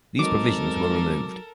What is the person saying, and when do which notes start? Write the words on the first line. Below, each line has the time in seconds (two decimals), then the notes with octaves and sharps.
These provisions were removed.
0.19 G#1 F#3 D#4 A4 A#4 D6